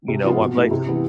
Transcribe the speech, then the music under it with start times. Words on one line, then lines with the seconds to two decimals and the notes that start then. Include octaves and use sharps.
You know, what, like
0.08 C3
0.24 F3 B3 F4
0.40 B2
0.56 A3 E4 G4
0.71 C3
0.87 E3 B3